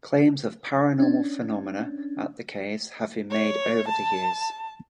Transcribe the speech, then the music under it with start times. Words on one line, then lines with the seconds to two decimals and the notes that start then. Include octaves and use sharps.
Claims of paranormal phenomena at the caves have been made over the years.
1.00 C#4 D4
3.31 C#5
3.88 A5